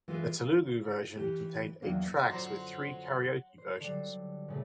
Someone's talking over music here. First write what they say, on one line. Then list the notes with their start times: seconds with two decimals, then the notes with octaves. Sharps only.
The Telugu version contained eight tracks with three karaoke versions.
0.08 E3 G#3 F4 A4 B4 E5
0.40 F4
1.17 E3 G4
1.82 E2 D#3 F#3 A#3 D4
2.30 F#2 D3 F3 F#3 D4 C5 A#5 C6
3.58 C5
3.80 D3 F#3 G3
4.48 A#2 C#3 A3